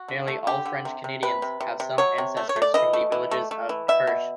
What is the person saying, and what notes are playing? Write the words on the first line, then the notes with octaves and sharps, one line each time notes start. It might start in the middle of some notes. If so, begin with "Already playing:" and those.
Nearly all French Canadians have some ancestors from the villages of Perche.
Already playing: F#4
D3
A3
D3 G4
D3
C3
C3
C3 B4
C3
C3
C3
F#3 C#5
C3
A3
C#5
A3
D5
E3 D#5
A3
E3
A3
A3
E3
B2 E5
B2